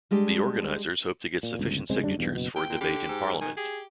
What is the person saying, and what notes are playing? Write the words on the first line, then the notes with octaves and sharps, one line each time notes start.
The organisers hope to get sufficient signatures for a debate in Parliament.
G3 G#3 D4 G4
A#2
G1 C#2
F1 C#3 G#3 C4
F#2 G3 D4
B1 E2 G2
F#1 B2
E2 G5
A#2
D3 G4
G#2
D#3 G#5
G4 G#4